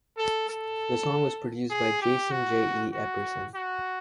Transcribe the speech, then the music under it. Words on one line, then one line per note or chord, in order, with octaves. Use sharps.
The song was produced by Jason "Jay E" Epperson.
A4
A4
G#4
G4
F#4
F#4
F#4